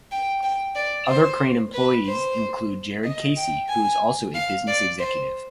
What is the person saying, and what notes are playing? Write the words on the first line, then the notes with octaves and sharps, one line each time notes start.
Other Crane employees include Jared Casey, who is also a business executive.
G5
G5
D5
C5
B4
C5
D#5
G5
G#5
F5
D5
C5